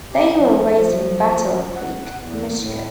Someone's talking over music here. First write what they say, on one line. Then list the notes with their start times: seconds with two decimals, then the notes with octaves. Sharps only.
They were raised in Battle Creek, Michigan.
0.12 G4
0.36 F3
0.74 F3
1.76 F#5
2.17 E2
2.60 A2